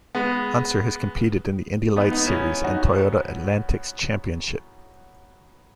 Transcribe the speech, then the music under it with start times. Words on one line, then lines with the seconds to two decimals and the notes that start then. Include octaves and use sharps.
Unser has competed in the Indy Lights series and Toyota Atlantics Championship.
0.15 G#3 B3
1.96 B3 D#4
2.11 B3 D#4
2.26 C#4 E4
2.64 D#4 F#4